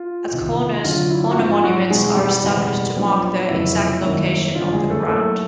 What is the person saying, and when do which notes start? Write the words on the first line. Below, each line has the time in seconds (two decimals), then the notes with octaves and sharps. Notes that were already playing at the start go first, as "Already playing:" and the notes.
At corners, "corner monuments" are established to mark their exact location on the ground.
Already playing: F4
0.31 E2 C3 D#3
0.84 D2 D3 F#3 F4
1.10 E4
1.31 F#4
1.37 G#2 F3 G#3 C4 F4
1.64 F#3 F#4
1.90 E2 B2 G3 G#3 C4 D#4 G#4
2.16 G3 G4
2.43 F#1 E2 B2 G#3 C4
2.96 A#1 A#2 F#3 B3 D#4
3.49 F1 F2 C#3 F#3 B3 E4
4.02 G#1 F#2 D#3 G3 A#3
4.55 F#1 F2 D3 G3 F4
4.72 G#3 G#4
4.90 A3 A4
5.08 A2 F#3 A3 A#3 D#4 A4